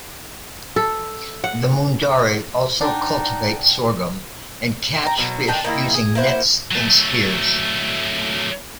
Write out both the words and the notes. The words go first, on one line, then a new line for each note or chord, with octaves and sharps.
The Mundari also cultivate sorghum and catch fish using nets and spears.
A4
F#5
D4 D#4 F#5 G5
G5 A#5
B2 F#3
D#3 D4 D#5 G5
D#3 A#3 E4
G#4
A#3 E4 C5 F#5
F#3 A3